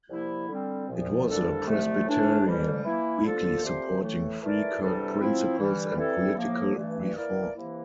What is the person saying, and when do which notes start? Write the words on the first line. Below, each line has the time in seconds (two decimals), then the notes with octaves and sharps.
It was a Presbyterian weekly supporting Free Kirk principles and political reform.
0.10 C2 C3 F3 A#3 E4
0.48 D3 G3 C4
0.88 C2 A#2 F3
1.28 C2 A#2 G3 D4 A4
1.66 C2 C3 F3 A3
2.06 A2 E3 A3 D4
2.45 F2 E3 G3
2.84 E3 A#3 E4
3.23 D3 F3 A#3 F4 A4
3.63 A#2 A3 C4 G4 C5
4.02 A2 E3 A3
4.41 E3 A3 E4 A#4 D5
4.80 E2 C3 G3 D4 A4
5.19 F3 C4 E4
5.59 G2 E3 G3
5.98 E3 G3 C4 E4 A4
6.37 A2 F3 A#3
6.76 G2 E3 A3
7.15 E3 A#3 E4 A#4 D5
7.54 C3 E3 A#3 E4